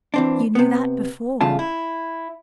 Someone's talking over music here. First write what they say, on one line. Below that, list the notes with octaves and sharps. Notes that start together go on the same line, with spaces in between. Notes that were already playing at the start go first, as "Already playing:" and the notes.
"You knew that before."
E3 C4 D4
C3 B3
E2 G2 C#3 A3 F4 A5
E4